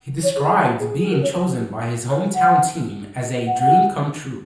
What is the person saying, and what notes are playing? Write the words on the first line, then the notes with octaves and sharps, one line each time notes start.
He described being chosen by his hometown team as a "dream come true".
C#5
G#4
G#4
F#4
G#4
G#4
A#4
C#5
C#5
F#5
D#5
D#5
F#5
F#5